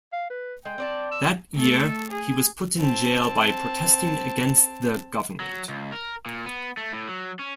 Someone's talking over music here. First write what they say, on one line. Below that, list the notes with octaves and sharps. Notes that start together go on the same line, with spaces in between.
That year he was put in jail by protesting against the government.
F5
B4
G#3 G5
C4 D5 A5
E6
A3 A4
G#4
C4 A5
F#3
C#2
A#4
A#2
B3
A3
A2
F#3
C#4